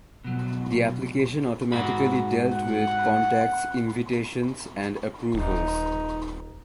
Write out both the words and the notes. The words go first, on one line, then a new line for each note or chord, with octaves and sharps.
The application automatically dealt with contacts invitations and approvals.
B2 F#3
G#2 F#4 B5
F#5
D#1 D#4